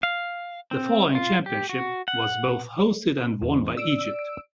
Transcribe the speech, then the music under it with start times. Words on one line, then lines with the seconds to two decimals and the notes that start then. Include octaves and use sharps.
The following championship was both hosted and won by Egypt.
0.03 F5
0.71 C4
1.15 F4
1.46 G4
1.69 F#4
2.08 F#5
3.42 E2 G#2
3.77 D5 E6 D7